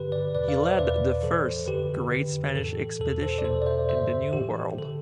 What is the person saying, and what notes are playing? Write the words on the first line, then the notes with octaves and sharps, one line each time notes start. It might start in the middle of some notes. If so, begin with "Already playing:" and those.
He led the first great Spanish expedition in the New World.
Already playing: G2 D3 G4 B4
B4 D5
E2 B2 B4 D5
D5 F5
C5 E5
E2 B2 B4 D5
A2 E3 A4 C5
F2 D3 G4 B4
F2 D3
A2 E3 A4
E2 B2 A4
A4 C5
D5
E2 B2 A4 C5
D5
C5 E5
G2 D3 C5 E5
A2 E3 G4
D3 A4